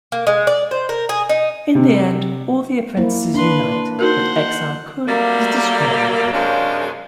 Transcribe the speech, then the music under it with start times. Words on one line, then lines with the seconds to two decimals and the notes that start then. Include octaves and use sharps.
In the end, all the apprentices unite and Exar Kun is destroyed.
0.12 A#3
0.27 G#3
0.47 D5
0.71 C5
0.89 A#4
1.09 G#4
1.29 D#4
1.75 C3
2.97 A#3 E4 C5
3.34 D4 B4 C6
3.99 D#4 F#4 A#4 C5 F#5
5.08 F#3 G3 A3 A#3
6.33 F#2 C3 G#3 C#4 D4 F5